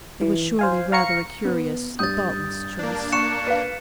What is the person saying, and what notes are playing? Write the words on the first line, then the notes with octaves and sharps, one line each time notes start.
It was surely rather a curious, a thoughtless choice.
E3
C5 F5 G#5
F5 A#5 C#6 C#7
B3
G2 D#6 G6 A6
A#3 D4
C#6 F#6 C#7 E7
B4 F5